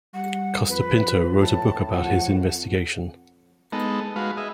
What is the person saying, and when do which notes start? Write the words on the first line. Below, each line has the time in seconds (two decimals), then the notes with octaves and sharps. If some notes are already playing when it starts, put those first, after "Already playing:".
Costa Pinto wrote a book about his investigation.
0.14 G3 F#5
0.69 F2 B4
1.41 A2 A5
1.93 F2 F#5
3.72 G#3 B3 D#4 A4
4.16 G#3 F#4 B4 F5
4.37 G#4 D#5 E5